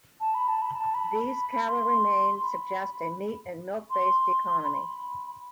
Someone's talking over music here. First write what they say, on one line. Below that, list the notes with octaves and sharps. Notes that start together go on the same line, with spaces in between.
These cattle remains suggest a meat- and milk-based economy.
A5
B5
A5
B5
A5
B5
C6
B5
C6
B5